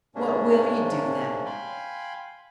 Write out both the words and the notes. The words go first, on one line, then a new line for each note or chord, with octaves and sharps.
'What will you do then?
G#2 C3 A#3 C#4 D4
F5 G5 G#5 B5 C6